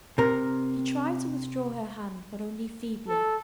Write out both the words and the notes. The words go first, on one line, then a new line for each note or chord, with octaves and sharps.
She tried to withdraw her hand, but only feebly.
C3 A#4
A4